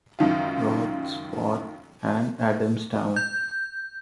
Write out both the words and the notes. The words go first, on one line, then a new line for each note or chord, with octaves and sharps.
Roath, Splott and Adamsdown.
C#2 F#2 D#3 F4
G6